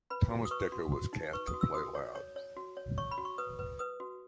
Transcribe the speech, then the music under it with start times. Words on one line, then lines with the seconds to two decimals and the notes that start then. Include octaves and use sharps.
Thomas Dekker was cast to play Loud.
0.10 B4 B5
0.30 F#4
0.45 D#6
0.51 B4 C#6
0.72 F#4
0.92 F#4
1.13 D#4
1.33 B4 C#6
1.47 D#6
1.54 F#4
1.61 E6
1.75 F#4 D#6
1.95 C#5
2.15 C#5
2.36 C#5
2.57 F#4
2.77 C#5
2.98 C#5 C#6
3.11 B5
3.18 F#4
3.25 C#6
3.38 B4 D#6
3.59 B4
3.79 B4 D#6
4.00 F#4